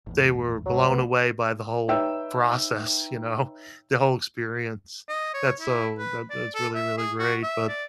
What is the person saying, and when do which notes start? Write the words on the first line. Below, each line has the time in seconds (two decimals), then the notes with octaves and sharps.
they were blown away by the whole process, you know, the whole experience. That's so that that's really, really great, but
0.06 G#1 E2 A2
0.66 C#2 G2 F#3 G#3
0.89 A#1 C#3 A3 B3
1.88 D#4 B4 C#5 E5 G5 E6
5.09 D#5
5.34 C#5
5.60 E4
5.98 B4
6.30 D5
6.55 A4
6.75 E5
6.98 G#4
7.19 F#4
7.43 E5
7.68 D5